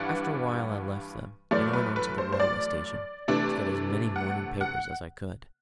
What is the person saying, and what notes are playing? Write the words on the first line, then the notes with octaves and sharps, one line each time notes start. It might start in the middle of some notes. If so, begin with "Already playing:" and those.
After a while I left them, and went on to the railway station to get as many morning papers as I could.
Already playing: G2 E3 G3 D4 F#5
F#2 E3 A3 D5
B4
B4
C5
C5
D5
C3 E3 A3 D4
F#5
F#5